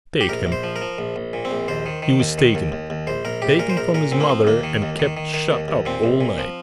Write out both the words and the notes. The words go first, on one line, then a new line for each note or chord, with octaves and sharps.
'Take him.' He was taken--taken from his mother and kept shut up all night.
G4
A#1 A#4
A#1
C5
F3
A#4
F3
A#1
A#1
A#2
C4
A#1
D#2 C5
D#3
D#3
D#2
D#3
D#2
D#2
D#2
A#1 C5
A#1 A#4
A#1 G4
A#2 A#4
C5
A#1 A#4
A#2 A#4
A#2 C4
A#3
F3 C4
D#2 A#3
D#3
D#2
D#3
D#3
D#3
D#2
D#2
A#2 C4
A#1
A#2
F3